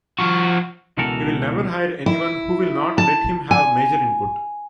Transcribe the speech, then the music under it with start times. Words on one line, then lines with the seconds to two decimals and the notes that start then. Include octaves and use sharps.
He will never hire anyone who will not let him have major input.
0.19 F3 F#4
0.98 C#2 B2 E3 F#4 A4 A#4
2.06 E4
2.98 A5
3.51 G#5